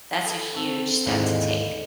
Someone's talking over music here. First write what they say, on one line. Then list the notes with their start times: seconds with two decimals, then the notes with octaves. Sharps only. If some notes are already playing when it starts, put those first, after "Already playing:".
that's a huge step to take.
0.23 G#4 A4 B4
0.54 C4 F#4 A4
1.06 D#2 G#2 D3 D#3 G#3 E4